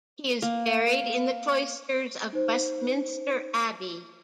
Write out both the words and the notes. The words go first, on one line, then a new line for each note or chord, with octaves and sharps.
He is buried in the cloisters of Westminster Abbey.
A#3
D#4 C5